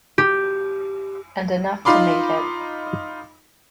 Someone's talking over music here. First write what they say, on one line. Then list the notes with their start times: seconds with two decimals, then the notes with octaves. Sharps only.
And enough to make it.
0.18 G4
1.85 D#4 F4 B5 C6 D6